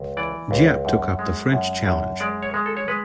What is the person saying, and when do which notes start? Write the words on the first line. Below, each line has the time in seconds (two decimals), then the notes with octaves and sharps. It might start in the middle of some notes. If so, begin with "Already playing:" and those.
Giap took up the French challenge.
Already playing: C#2
0.17 E3 D5
0.51 C#2
0.85 F#2
1.19 G#3
1.52 F#2
1.86 F#2
2.20 G#3 D5
2.42 C#5
2.54 G#3
2.66 A4
2.77 C#5
2.88 G#3 B4